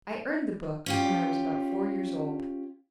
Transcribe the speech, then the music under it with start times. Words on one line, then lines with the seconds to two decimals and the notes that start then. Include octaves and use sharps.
I earned the book when I was about four years old.
0.86 C#4 F4 G4